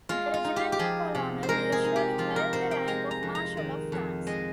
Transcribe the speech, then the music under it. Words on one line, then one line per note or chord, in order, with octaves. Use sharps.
The regimental colonel usually held the rank of Marshal of France.
G#3 F4
F4
D#4
G4
G4
F3 G#4
C3
C5
G#3 A#4
G#4
D#4
G4
F3 F4
A#4
C3 C5
G5
G#3 A#5
A#5
F2
A#5
D#3
F2
G#3 D#5